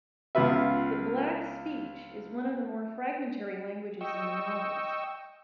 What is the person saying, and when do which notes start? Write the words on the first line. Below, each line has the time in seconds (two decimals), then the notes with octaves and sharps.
The Black Speech is one of the more fragmentary languages in the novels.
0.35 C#2 B3 F4 B4 E5
4.01 D#5 G5 C#6 E6